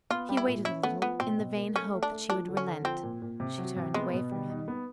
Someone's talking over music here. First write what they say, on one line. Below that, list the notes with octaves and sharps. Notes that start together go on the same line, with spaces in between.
He waited a little, in the vain hope that she would relent: she turned away from him.
B3 F4
G3
E4
A#2
C#4 E4
A3 B3
F3 B3
B2 C4
B2
A#3
A3 C#4
A3
D4
A3
F3 D4
D3
C#4
D3
F3 C4
A#2
A#2
C3
F#3
C3
G#3 B3
B2
G3
D#4
B3